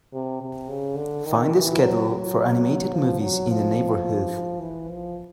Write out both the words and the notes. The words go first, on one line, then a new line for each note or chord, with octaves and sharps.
Find the schedule for animated movies in the neighbourhood.
C3
C3
C#3
D3
D#3
E3
F#3
F#3
F3
F#3
F3
E3
F3